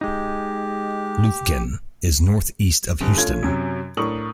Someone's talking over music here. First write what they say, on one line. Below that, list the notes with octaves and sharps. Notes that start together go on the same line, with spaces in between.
Lufkin is northeast of Houston.
G#3 D#4 G4
G1
A3 C#4 F4 G#6
F#2 C3 F#3
A2 D4 A#4 C#6 D#6 F#7